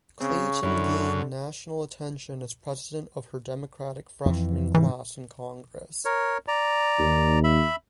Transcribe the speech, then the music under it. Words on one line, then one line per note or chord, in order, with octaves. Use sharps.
Clayton gained national attention as president of her Democratic freshman class in Congress.
C#3 C4 C#6
F#2 D3 C#4 E4
F2 E3
G#2 C3 E3
A#4 C#5
D5 A#5
D#2
E5 B5